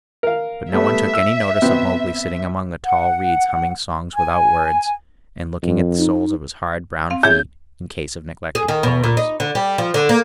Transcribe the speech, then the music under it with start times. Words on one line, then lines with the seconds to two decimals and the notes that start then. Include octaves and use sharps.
But no one took any notice of Mowgli sitting among the tall reeds humming songs without words, and looking at the soles of his hard brown feet in case of neglected thorns.
0.23 A#4 F5
0.72 G3 A3 B3 E5
1.14 E6
1.62 B2 B3 C4
2.85 F#5
4.15 G#5
5.62 F2
5.98 D#4
7.10 C4 F5
7.23 G#4 C#5 E5 G6
8.55 G#4
8.68 D#3
8.83 B2
9.04 A#2
9.17 D#4
9.40 D3
9.55 G3
9.78 F3
9.94 D3
10.09 A#3